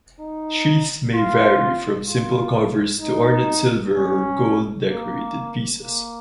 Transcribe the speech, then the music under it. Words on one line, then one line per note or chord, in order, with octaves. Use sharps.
Sheaths may vary from simple covers to ornate silver or gold-decorated pieces.
D#4
F4
F4
D#4
C#4
A#3
A#3